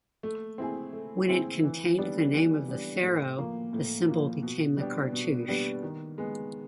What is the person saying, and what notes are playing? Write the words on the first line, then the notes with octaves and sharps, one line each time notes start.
When it contained the name of the pharaoh the symbol became the cartouche.
A3
C4 E4 G#4
A3
C4 E4 G#4
E3
G3 B3 D4
E3
G3 B3 D4
A2
F3 A#3
A2
F3 A#3
B2
G3 B3 D4 G4
B2
G3 B3 D4 G4
D#3
G#3 B3